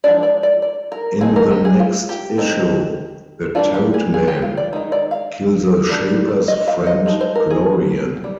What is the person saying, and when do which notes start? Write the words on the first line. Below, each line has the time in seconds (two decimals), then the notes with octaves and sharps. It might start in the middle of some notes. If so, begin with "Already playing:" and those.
In the next issue, the Toad Men kill the Shaper's friend, Glorian.
0.04 F3 G#3 D4 D5
0.23 D5
0.43 D5
0.62 D5
0.92 A#4
1.21 F3 C4 D#4 G#4
1.36 A#4
1.51 G4
1.65 G#4
1.79 F4
2.09 G4
2.38 F3 G#3 C4 D#4
3.55 G3 A#3 D4 F4
3.74 G4
3.94 G#4
4.14 G#4
4.28 G4
4.42 F4
4.57 D5
4.73 D#3 G#3 D#4
4.92 D5
5.11 F5
5.89 G3 D4
6.48 D#5
6.67 F5
6.87 D#5
7.06 F3 G#3 D#4
7.21 C5
7.35 A#4
7.50 G#4
8.24 G3